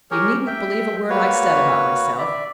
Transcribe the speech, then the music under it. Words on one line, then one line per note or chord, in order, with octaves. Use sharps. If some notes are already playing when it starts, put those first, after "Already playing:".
You needn't believe a word I said about myself.
G4 G#4 A#4 C#5
E5 G5
A#3 F#4 B4 C#5
D5 E5